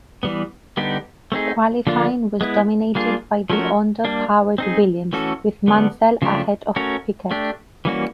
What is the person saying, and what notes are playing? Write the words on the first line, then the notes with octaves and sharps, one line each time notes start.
Qualifying was dominated by the Honda powered Williams, with Mansell ahead of Piquet.
E3 G3 B3
D3 G3 B3 D#4 G4
A3 C4 D#4 G#4
D3 F3 A#3 D4 F4
G#3 B3 E4
G3 A#3 D4 F4 G#4
F3 A3 C#4 F#4 A#4
G3 A#3 D4
C4 D#4 G#4
E3 A3 C#4 F#4 A4
D3 G3 B3
C#3 F3 A3 D4 G4
A3 C#4 F#4 A#4 C#5
A3 D4 G4
E3 G3 A#3 C#4 F#4